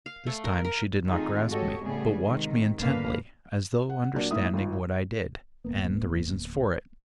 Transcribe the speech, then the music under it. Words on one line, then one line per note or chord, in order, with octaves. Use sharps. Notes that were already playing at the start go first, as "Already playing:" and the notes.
This time she did not grasp me, but watched me intently, as though understanding what I did, and the reasons for it.
F5
A3
A#4
A#4
D#3 A3 C4 D#4 F4 G#4
G#2 F#4 G4 A4 C#5 D#5
A2 C#3 G3 B3 G#4
G#2 C3 D#3
G2 D3 A#3 B4 F5
F#5
A#2 F#3 D4 A#4
G#2 A#3 E4 E5 D#6
G#1 F4
D1 A#3 B3